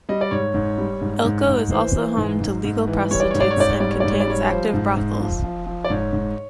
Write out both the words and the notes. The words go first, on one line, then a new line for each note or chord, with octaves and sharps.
Elko is also home to legal prostitutes and contains active brothels.
G3 D#5
D5
G#2 C#5
G#2
G3
G#2
G#2
G#2
E3 C5
E3
G#2
G#2
G#2
E3
G3 C#5
D5
G#2 C#5
D5
C#5
G#2 D5
C#5
G3 D5
C#5
G#2 D5
C#5
D5
G3 C#5
F3 C5
G#2
G#2
F3
F3
F3
D5
G#2 C#5
G#2